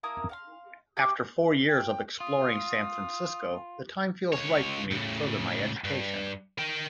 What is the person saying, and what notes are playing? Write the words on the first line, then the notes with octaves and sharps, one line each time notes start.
After four years of exploring San Francisco, the time feels right for me to further my education.
A#3 E4 A#4 D#6
F5 F#5 C6
G4 C#6 D6
G5
F4 D#6
C#2 C#5
A2 C#3
G2
A#4 G5